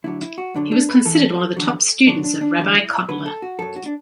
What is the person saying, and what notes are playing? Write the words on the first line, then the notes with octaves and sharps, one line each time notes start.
He was considered one of the top students of Rabbi Kotler.
D2 D3 F#3 E4
E4
F#4
F#2 D3 F#3 D4
D4
B4
E2 E3 A4
E2 D3 F#3
F#2 D3 F#3 D4
D4
D4
E2 D3 F#3 E4
D2 D3 F#3 B4
A4
F#4
F#2 F#3 A4
F#4
D4